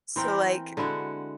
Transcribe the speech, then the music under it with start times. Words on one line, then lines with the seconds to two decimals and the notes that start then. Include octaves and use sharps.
So like
0.16 E3 C4 A#4 G5
0.77 D3 G#3 E4 F#4